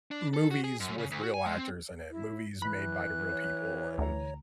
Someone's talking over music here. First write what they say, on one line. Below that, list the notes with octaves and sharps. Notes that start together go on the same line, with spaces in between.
movies with real actors in it. Movies made by real people and
D4
A4
F#4
G#4
F#2
C#3
D2
F#4
G#5
G#3
C4
E4
E3 B5 F#6
C#5
D2 A#5